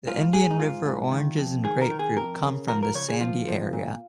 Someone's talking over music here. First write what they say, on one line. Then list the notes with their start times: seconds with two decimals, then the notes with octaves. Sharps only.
The Indian River oranges and grapefruit come from this sandy area.
0.07 G#2 F4
0.33 G#2 G#4
0.51 D#4
0.60 G#2 F4
0.86 G#2
1.12 D#3
1.38 F2
1.64 D#3 G#4
1.82 A#4
1.90 D#3
1.99 G#4
2.16 F2 A#4
2.43 C#3
2.68 F3 A#4
2.83 A#4
2.94 C#3 C#5
3.09 G#4
3.21 F3 F4
3.48 F3
3.73 A#2